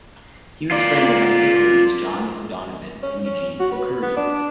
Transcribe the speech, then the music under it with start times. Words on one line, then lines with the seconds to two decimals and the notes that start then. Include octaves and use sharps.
He was a friend of antiquaries John O'Donovan and Eugene O'Curry.
0.71 F4 D5
3.03 C#4
3.25 C#4
3.60 F#4
3.72 B4
4.02 B3
4.17 D4